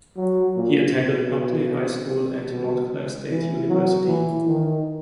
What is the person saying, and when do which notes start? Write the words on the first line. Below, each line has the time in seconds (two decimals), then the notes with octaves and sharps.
He attended Nutley High School and Montclair State University.
0.17 F#3
0.56 A#2
0.95 B2
2.52 B2
3.30 E3
3.69 F#3
4.07 E3
4.47 D#3